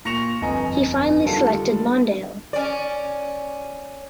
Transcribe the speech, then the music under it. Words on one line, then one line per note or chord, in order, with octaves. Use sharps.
He finally selected Mondale.
A#2 C#6 A#6 C#7 E7 F7
G1 F2 D#5 G#5 A#5
D3 D#3 G3 D4 F4 A4
C#4 D5